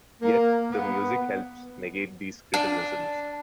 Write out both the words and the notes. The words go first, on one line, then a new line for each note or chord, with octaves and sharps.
Yet the music helps negate these criticisms.
A#3
B3
D4